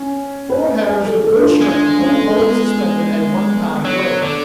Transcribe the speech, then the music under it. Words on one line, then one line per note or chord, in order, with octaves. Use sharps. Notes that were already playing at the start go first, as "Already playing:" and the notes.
Four hairs of good strength will hold suspended a one-pound weight.
Already playing: C#4
B4
G#4
A4
A4
D4
F4
G#3 D4
C#4
B3
F#3
D3